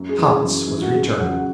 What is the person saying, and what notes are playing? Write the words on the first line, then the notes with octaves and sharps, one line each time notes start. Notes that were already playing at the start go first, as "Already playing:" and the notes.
Hans was returning.
Already playing: F#2
G#4
E3
G#4
F#2
E3
F#4
F#2 G#4
G#4
C#3 F#3 F#5
F#5